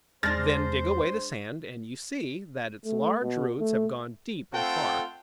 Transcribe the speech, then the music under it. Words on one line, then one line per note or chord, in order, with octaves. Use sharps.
Then dig away the sand, and you see that its large roots have gone deep and far.
E2 G#3 D4 C5 F6 A6 A#6
A3
B2
A3
A3 C4 F4 A4 F#5 G5